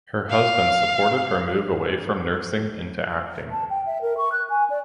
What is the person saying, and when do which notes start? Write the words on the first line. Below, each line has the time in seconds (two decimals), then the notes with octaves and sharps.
Her husband supported her move away from nursing into acting.
0.30 F5
3.51 A5
3.70 G5
3.86 E5
4.02 A#4
4.17 C#6
4.32 F#6
4.50 G#5
4.70 D5